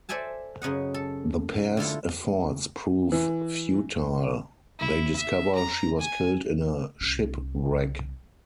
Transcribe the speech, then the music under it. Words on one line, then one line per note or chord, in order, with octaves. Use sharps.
The pair's efforts prove futile; they discover she was killed in a shipwreck.
A4 C5 D5 E5 G#5 A5
F#2 C#3 D#5 F#5
A4
D3 E4 F4 A4
E3
E4
E5
A#5
G#5
C2 C#4